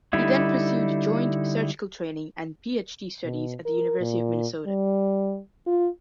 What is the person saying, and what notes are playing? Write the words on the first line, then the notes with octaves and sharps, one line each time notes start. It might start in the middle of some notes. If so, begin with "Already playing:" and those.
He then pursued joint surgical training and Ph.D. studies at the University of Minnesota.
D3 G3 D#4 E4
B2
A#4
A#2
G3
F4